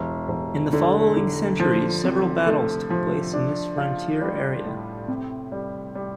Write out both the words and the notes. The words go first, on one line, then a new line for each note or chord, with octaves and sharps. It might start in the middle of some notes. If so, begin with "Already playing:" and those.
In the following centuries, several battles took place in this frontier area.
Already playing: E1
E1
D3
D3
F3
C3
A3
F3
D4
F4
G3
A2
C3
G3
G3